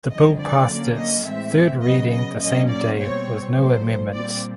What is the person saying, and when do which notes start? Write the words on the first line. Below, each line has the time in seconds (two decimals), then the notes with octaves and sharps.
The Bill passed its third reading the same day with no amendments.
0.10 F2 D3 G3 D#5
0.39 D5
0.68 D3 F#3 A#3 C#4
0.96 D#5
1.25 A2 E3 G#3 C4 E5
1.82 C#3 F#3 B3 D#5
2.11 D#5
2.40 A#2 F#3 A#3 C#4 D#5
2.69 D5
2.98 B2 G3 C4 C#5
3.55 A#2 F#3 A3 C5
4.13 A#2 G3 C4 D5